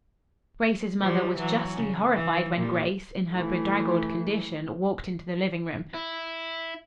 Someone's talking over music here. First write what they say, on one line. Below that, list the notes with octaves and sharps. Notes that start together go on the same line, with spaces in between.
Grace's mother was justly horrified when Grace, in her bedraggled condition, walked into the living room.
F3 G3
E3 F#3
C#3
E3
A#2 G3
E3 A3
E4